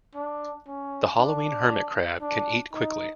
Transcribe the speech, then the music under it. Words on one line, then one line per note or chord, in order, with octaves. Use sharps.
The halloween hermit crab can eat quickly.
D4
C#4
D4
D4
D#4